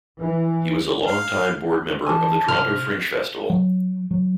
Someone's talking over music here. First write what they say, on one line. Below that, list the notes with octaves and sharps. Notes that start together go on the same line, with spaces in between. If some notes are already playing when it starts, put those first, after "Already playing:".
He was a long-time board member of the Toronto Fringe Festival.
E3
F5
E3 G#5 A5
C3 F6
F#3
F#3